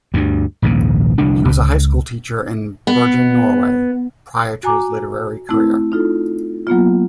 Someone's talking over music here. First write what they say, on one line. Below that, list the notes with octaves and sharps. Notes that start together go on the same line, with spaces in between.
He was a high school teacher in Bergen, Norway, prior to his literary career.
D2 G2
A#1 D#2 G#2 C#3
F1 C2 D3 D4
C#2
B3
F#4 G#5 A#5 D6
A3 C4 E4
D#4 F4 A4
F#3 A#3 B3 F4